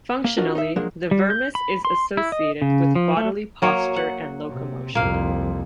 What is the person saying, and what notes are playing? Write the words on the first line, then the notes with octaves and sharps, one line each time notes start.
Functionally, the vermis is associated with bodily posture and locomotion.
A#3
D4 F4 F#4 A#4 D#5
D#4 E5
F3 F#3 G#3 A#3 D4
G3
G6
B5
C6
E4
D#5
C#3
F3
A3
F#3 A#3 C#5
F#5
C3
C2 F2 A#3 F5